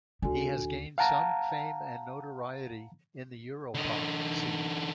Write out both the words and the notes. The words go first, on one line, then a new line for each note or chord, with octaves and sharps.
He has gained some fame and notoriety in the Europop scene.
D2 D4 F#4 A4 G#5
F5 F#5 A5 A#5
D3 D#4